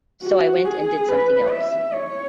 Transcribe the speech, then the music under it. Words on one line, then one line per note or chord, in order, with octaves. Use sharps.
So I went and did something else.
F#4
G#4
B4
E5
C#5